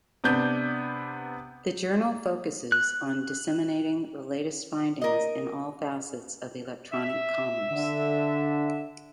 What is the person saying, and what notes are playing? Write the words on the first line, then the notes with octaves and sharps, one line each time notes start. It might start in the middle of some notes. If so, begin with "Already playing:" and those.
The journal focuses on disseminating the latest findings in all facets of electronic commerce.
C3 B3 D4 G6
F#6
A#4 D#5
E5
D3